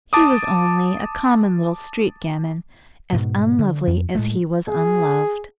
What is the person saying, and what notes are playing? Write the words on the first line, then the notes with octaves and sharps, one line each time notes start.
He was only a common little street gamin, as unlovely as he was unloved.
A5 D6 D#6
G#2 B2
D3
F2
A2 G#3 A3
G#4